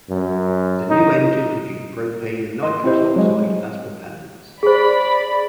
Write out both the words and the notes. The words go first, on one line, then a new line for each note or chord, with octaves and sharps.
The new engines would use propane and nitrous oxide as propellants.
F#2
D#4
D#5 C6
C4 E4 G4 C5 D#5
F#3 G#3
G#4 C5 D5 B5